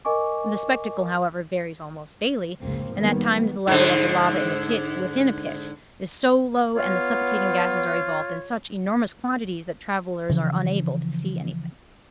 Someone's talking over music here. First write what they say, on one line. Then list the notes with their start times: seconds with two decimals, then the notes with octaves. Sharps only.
The spectacle, however, varies almost daily; and at times the level of the lava in the pit within a pit is so low, and the suffocating gases are evolved in such enormous quantities, that travellers are unable to see anything.
0.05 A#4 D#5 G#5 C#6 D6
2.61 F1 C#2 G#2 A#3 C4
2.94 D#3 F#3 G3 A#3 B3
3.67 G#2 D3
6.76 B3 F4 C#5
10.29 C#3 E3 F3